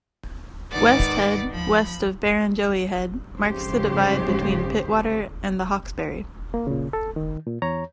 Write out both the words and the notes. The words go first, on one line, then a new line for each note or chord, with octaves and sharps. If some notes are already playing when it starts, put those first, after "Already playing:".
West Head, west of Barrenjoey Head, marks the divide between Pittwater and the Hawkesbury.
G#2 D#3 B4 D5 F#5 D6
F3 B5
F2 G#2 C#3 G#3 G4 C5
A#3
A#2 C#3
A4
D#3
A#2
E2 C#5 A#5